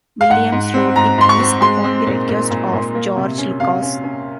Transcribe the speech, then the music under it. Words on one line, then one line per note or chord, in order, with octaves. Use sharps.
Williams wrote the piece upon the request of George Lucas.
F5
G#2 F#5
G#2
C4
G#2 A#5
G#2 C6
C#6
C4
G#3 C6
C4
A#2
A#2
A#2
A#2
A#3
C3
C#4
C3 F5
C#4
C#4